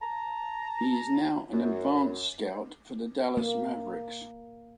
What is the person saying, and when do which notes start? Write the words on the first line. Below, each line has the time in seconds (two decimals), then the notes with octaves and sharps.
He is now an advance scout for the Dallas Mavericks.
0.02 A5 A#5
1.52 F#2
3.37 A#3